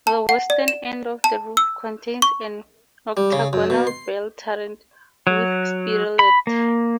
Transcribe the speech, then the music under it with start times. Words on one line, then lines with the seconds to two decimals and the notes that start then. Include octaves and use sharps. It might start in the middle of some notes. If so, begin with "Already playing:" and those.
The western end of the roof contains an octagonal bell turret with spirelet.
0.07 A5
0.29 F#5
0.50 D5
0.68 E7
1.24 A5
1.57 E6
2.22 C#6
3.17 G3
3.32 C#3
3.53 F#2
3.70 B2
3.87 C6
5.27 F#3
6.19 B5
6.47 A#3